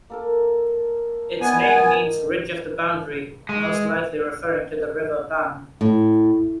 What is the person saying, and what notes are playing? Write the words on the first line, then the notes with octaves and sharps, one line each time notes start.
Its name means "ridge of the boundary", most likely referring to the River Bann.
A#3 A4 A#4
D#3 B3 D5 G#5
G#3
A2